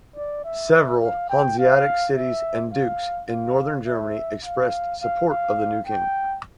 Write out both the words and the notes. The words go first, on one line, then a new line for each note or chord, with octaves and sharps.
Several Hanseatic cities and dukes in Northern Germany expressed support of the new king.
D5
E5
F5
G5
F5
E5
F5
F5
E5
F5
F5
F5
G5